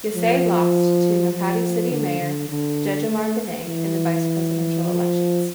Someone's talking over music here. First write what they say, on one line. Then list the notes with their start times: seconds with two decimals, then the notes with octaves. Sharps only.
Yasay lost to Makati City Mayor Jejomar Binay in the vice-presidential elections.
0.15 F3
1.33 F3
1.91 D3
2.21 D3
2.49 D3
3.09 A3
3.68 E3
4.84 F3